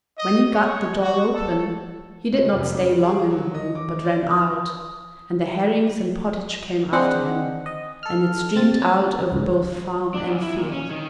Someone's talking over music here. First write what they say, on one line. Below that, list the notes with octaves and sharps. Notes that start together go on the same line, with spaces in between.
When he got the door open, he did not stay long in the room, but ran out, and the herrings and pottage came after him, and it streamed out over both farm and field.
D#5
C#5
F#4
A4
B2
F1
C#3
G#4
F#3
D#5
D6
D5
D#6
C4 D4 G#4 C5 D#5 F#5
D#5
A4 F6
C3 C4 A6
C#4
C#2 G#2
D4
F#2
E4
A#2
C#4
D#3